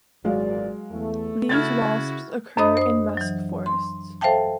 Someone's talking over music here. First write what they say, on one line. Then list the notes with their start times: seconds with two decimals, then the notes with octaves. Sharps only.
These wasps occur in musk forests.
0.24 G#1 E2 A#2 F#3 G#3 D5 F5
0.92 E2 A3
1.49 C#3 E4 F#4 F6 G#6 A6
2.57 F#2 D4 C5 D#5 B5 D#6
2.77 C5 D#6
3.17 E3 F#3
3.66 C6
4.21 A4 C5 E5 F5 G5 A5